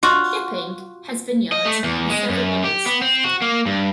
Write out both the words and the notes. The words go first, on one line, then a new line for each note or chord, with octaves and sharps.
Shipping, Hess Vineyards, and several others.
F4 F#4
D#5
A3
E2
G#3
F#2
G4
B3
C4
F#4
A#3
G2